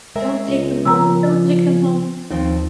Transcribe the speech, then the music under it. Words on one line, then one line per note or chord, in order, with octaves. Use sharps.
"Don't take them home, don't take them home."
G#3 A#4 E5
C#2
C#3 F3 A#4 A#5 E6
D#2 D#3 F3 C4